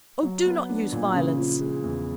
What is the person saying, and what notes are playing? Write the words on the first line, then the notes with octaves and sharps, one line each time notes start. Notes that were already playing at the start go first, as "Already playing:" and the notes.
'Oh, do not use violence!
F#3
B3
D4
A#2
C#3
F3
G#3
E2